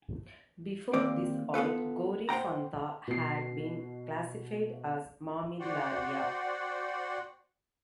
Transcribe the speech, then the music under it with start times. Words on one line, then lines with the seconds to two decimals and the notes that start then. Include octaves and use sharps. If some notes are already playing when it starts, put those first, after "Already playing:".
Before this all "Coryphantha" had been classified as "Mammillaria".
0.93 D#2 A#3 C4 D5
1.54 B3 F4 A4 B4
2.29 C5 F#5 G5 A#5
3.07 B2 C7
5.60 F#4 C5 D5 F#5 G5